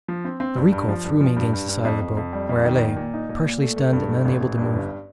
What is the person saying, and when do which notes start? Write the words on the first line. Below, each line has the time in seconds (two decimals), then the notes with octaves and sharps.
The recoil threw me against the side of the boat, where I lay, partially stunned and unable to move.
0.08 F3
0.25 C4
0.40 C4
0.56 G2
0.73 G2
0.88 F3
1.04 G2
1.21 F3
1.37 G2
1.53 G2
1.69 G2
1.85 F2
2.01 F2
2.17 F2
2.33 G3
2.49 F2
2.65 D#3
2.81 A#2
2.96 A#2
3.14 D#4
3.29 A#2
3.45 A#2
3.62 A3
3.76 A3
3.93 G2
4.09 A3
4.25 A1
4.41 A1
4.58 G2
4.74 G1